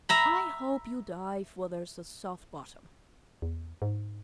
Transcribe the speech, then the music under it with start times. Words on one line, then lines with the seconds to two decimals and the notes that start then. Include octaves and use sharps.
"I hope you dive where there is a soft bottom."
0.09 E5 A#5 B5
3.42 E2
3.82 G#2